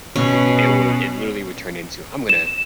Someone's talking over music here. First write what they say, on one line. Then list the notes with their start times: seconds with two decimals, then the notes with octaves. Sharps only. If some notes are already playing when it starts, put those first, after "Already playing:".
it would it, literally, would turn into "I'm gonna
0.16 B2 C#4
2.29 E7